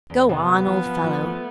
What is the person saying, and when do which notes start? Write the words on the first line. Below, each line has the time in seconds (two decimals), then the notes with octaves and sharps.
"Go on, old fellow."
0.10 E2
0.29 C3 B3
0.47 D2
0.67 F3
0.86 F3
1.04 F3
1.23 A3